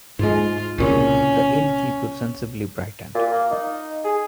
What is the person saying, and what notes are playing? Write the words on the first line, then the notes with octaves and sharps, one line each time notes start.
The innkeeper sensibly brightened.
G#2 G#3 F4
C2 A#2 C#3 C#4
A#2
A#3
D#4
G#4